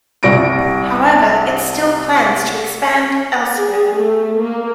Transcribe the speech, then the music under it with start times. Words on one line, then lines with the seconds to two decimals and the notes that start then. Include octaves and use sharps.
However, it still plans to expand elsewhere.
0.23 C2 G3 C#6 A#6 D7
3.57 G#4
3.95 A3
4.37 A#3